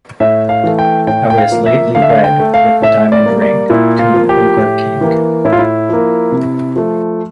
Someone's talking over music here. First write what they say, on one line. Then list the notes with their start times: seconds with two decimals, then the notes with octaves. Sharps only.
I was lately wed with a diamond ring to an ogre-king.
0.20 A2 E5
0.49 F5
0.64 E3 A3
0.79 G5
1.07 A2 G5
1.30 G5
1.38 F5
1.52 F3 A#3
1.66 E5
1.95 D3 F5
2.02 E5
2.09 F5
2.24 G5
2.40 A3
2.54 F5
2.82 A2 E5
3.12 D5
3.26 G3 A#3
3.42 D5
3.70 A#2 E4
3.99 F4
4.14 F3 A#3
4.29 G4
4.57 A2
5.01 E3 A#3
5.45 A2 E4
5.53 F4
5.59 E4
5.89 F3 A#3
6.32 C3
6.76 F3 A3